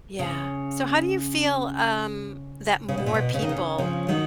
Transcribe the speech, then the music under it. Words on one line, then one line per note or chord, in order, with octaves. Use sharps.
Yeah. So, how do you feel um that more people
C#3
C#3
B2
A#2
B2
C#3
D#3
C#3
C#3 F3
D#3 F#3